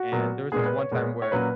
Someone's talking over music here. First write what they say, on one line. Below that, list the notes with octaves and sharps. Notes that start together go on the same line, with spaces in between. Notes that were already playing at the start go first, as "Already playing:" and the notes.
and there was this one time where,
Already playing: F#4
A#2 F#3 B3
A#2 G#3 B3 G#4
B4
C#5
A#2 G#3 B3
C#5
A#2 F#3 A#3 C#4 B4